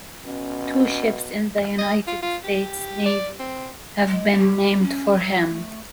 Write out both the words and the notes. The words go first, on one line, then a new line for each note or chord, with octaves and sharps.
Two ships in the United States Navy have been named for him.
B2 C#4
D#5
F4
F4
G4
D5
C4
G#3
G4
C#4
F#3
A3